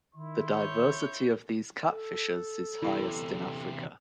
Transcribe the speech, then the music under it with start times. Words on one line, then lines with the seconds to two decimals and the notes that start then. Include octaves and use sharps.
The diversity of these catfishes is highest in Africa.
0.15 D#3 E4 C6
0.50 C#5 G6
1.88 A4
2.83 E2 C3 E4